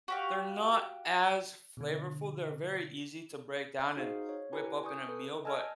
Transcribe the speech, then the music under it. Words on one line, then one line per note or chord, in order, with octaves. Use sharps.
They're not as flavorful, they're very easy to break down and whip up in a meal, but
F#4 G4 F5
B2 D3
D#4 F#4 G#4 C5 F5
C#5
E4 G4 B4 G#5 A#5
G#5 C#6 D#6 G6
A4 B4
D#5 G#5 A5 E6 F6 G#6